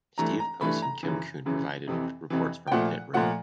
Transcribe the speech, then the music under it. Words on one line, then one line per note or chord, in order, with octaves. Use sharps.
Steve Post and Kim Coon provided reports from pit road.
G2 E3 A3 A#5
A#5
G2 E3 A3 B5
A#5
F#2 C#3 E3
F#2 C#3 E3
F2 C3 E3
F2 C3 E3
G5
A#2 F3 A3 F#5
A#2 F3 A3 F#5